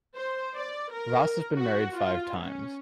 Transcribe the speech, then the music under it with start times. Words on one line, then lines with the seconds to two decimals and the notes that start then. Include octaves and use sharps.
Ross has been married five times.
0.15 C5
0.55 D5
0.92 A#4
1.58 F#4
1.94 F4
2.39 C#4